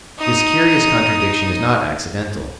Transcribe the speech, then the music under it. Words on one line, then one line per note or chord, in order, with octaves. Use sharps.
This curious contradiction is not accidental.
D#4 D#6